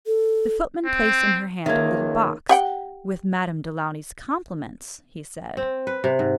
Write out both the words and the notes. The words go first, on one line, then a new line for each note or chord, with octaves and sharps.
The footman placed in her hand a little box "with Madame du Launy's compliments," he said.
A4
C4
C#2 D#3 A#3 E5 G#6
G4 F#5 G5
C4
B4
C3
G#2